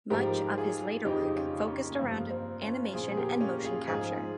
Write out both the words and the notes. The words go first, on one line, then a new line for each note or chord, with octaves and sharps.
Much of his later work focused around animation and motion capture.
G#2 F3 G4 A#4
F4 G#4
F2 C#3 F3 D#4 G4
C#4 F4
A#3 C#4
G2 F3 A#3
C4
C#4 F4
A#2 F3 F4 G#4
G#4
G4 A#4
C#4 F4
F4 G#4
G#2 F3 F4 G#4